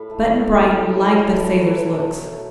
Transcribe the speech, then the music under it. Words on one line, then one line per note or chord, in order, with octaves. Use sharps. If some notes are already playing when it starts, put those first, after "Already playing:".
Button-Bright liked the sailor's looks.
Already playing: A2 B4
A3
A2 A4
F#3
A2 B4
A3 C#5
A2 B4
F#3 F#4
B2
A3
B2